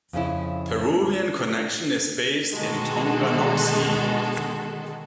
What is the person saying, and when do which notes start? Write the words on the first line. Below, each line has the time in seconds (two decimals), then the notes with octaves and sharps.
Peruvian Connection is based in Tonganoxie.
0.13 F2 C#3 C#4 E4
2.54 B2 D3 D#3 G#3 F#4 A4